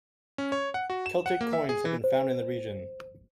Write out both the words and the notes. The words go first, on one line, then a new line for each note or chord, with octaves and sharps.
Celtic coins have been found in the region.
C#4
C#5
F#5
F#4
E7
F#5
A#3
E5
G#4
E3
C5